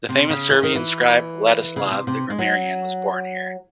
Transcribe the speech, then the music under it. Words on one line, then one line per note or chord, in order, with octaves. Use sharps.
The famous Serbian scribe Vladislav the Grammarian was born here.
C3
C#3
E3
D#3
E3
C#3
C3
C3
G#3
F#3